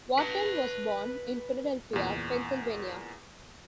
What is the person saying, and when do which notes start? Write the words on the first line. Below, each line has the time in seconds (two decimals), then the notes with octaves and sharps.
Wharton was born in Philadelphia, Pennsylvania.
0.18 B4 A5
1.93 E2 A#2